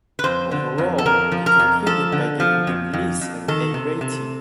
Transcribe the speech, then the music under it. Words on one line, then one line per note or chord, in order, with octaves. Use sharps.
Overall he concluded by giving the release an "A" rating.
B4
F2 C5
D3
F2
A4
F2 A#4
F3
A#4
F2
F3 A4
D3
F3
F2
F2
F2
D#3 A4
C3
C3